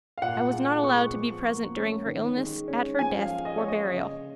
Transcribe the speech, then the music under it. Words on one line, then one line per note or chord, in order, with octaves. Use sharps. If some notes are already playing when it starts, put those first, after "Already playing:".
I was not allowed to be present during her illness, at her death, or burial.
F5
A#2 F#5
G#3
B3 C#6
F3
A#3
C#4
D#3
G#3
C#4
F3 G#5
F5
G#3
D#5
C#4 C#5
D#5
C#3